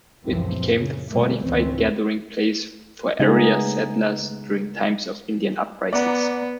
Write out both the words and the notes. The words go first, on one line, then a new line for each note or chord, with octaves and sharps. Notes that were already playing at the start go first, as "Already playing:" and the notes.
It became the fortified gathering place for area settlers during times of Indian uprisings.
C#2 F#2 A#2 E3 F3 C4
C#3
B2 D3 G3 A3 A#3 C4
F1 D2 A2 E3 C4 C#4
C#3 G#3 A3 B3 D#4 G#4
B3 D5 F#5 A#5